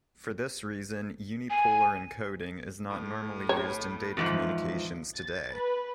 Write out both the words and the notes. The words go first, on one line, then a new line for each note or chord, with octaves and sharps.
For this reason, unipolar encoding is not normally used in data communications today.
G#5
A2
C#5
E2 G#2 F3
A6
B4